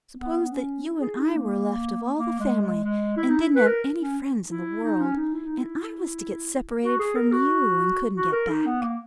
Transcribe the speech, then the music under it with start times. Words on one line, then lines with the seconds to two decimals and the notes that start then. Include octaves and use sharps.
"S'pose that you and I were left of all the family, and didn't have any friends in the world, and I was to get separated from you and couldn't get back?"
0.18 B3
0.42 B3
0.52 C#4
0.85 E4
1.01 G#4
1.19 D#4
1.35 A#3
2.18 A#3
2.40 G#3
2.62 G#3
2.84 G#3
3.17 E4
3.29 D#4
3.40 E4
3.56 B4
3.67 A#4
4.00 C#4
4.51 E4
4.84 D#4
5.01 C#4
5.17 D#4
5.34 E4
5.45 D#4
5.58 E4
6.83 F#4
7.00 G#4
7.16 A#4
7.32 F#4
8.16 F#4
8.33 A#4
8.49 D#4
8.66 B3
8.83 A#3